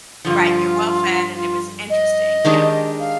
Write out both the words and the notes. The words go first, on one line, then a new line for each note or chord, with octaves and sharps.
Right, you're well fed, and it was interesting. Yeah.
G2 D3 F3 F4
F4
D#5
D#3 G#3 D4 G4
F5